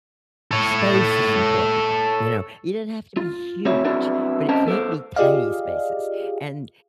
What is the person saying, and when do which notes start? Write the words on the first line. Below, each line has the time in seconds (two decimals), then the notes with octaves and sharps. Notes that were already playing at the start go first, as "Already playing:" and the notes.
space is important. You know? It doesn't have to be huge, but it can't be tiny spaces. And
0.51 A4 C#5
3.17 F4
3.65 A2 C4 E4 F#4 C#5
3.84 B3 C4 D4 E4 F#4 A#4
4.49 C4 C#4 A#4 C5 D#5 A5
4.66 B3 A4 A#4 C5
5.16 F4 G4 G#4 D5 D#5 F5